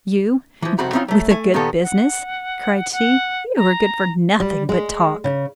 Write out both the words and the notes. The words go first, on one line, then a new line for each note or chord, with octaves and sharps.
'You with a good business?' cried she, 'you are good for nothing but talk!'
E3 F3
C2 F2 C4 D#4 F#4 B5
F#3 C4 C#4 D#4 F4 B5
F#3 A3
A3 G#5
A#2 D#3 A#3 B3 G4 A4
F#5
F#5
A#5
G3
G#3
C#3